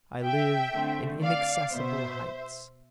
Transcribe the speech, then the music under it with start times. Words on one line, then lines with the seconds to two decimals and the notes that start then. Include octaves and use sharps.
I live in inaccessible heights.
0.24 E5 G5
0.73 D3 A3 C4
1.23 D5 F5
1.71 B2 B3 C5 E5